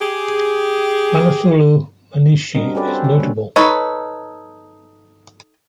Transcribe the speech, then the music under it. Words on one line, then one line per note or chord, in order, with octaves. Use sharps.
Manasulo Manishi' is notable.
G4 G#4
G3 C4 D4 F#4 A#4 D#5
C#4 F#4 G4 A4 B4 D5
C4 G4 A4 C5
C#4
G3 A#3 D4
D#4 A4 B4 C#5